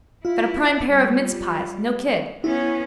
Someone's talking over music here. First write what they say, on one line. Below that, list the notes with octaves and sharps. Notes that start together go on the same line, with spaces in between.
Got a prime pair of mincepies, no kid.
E4 F4
G3
B3 C#4 E4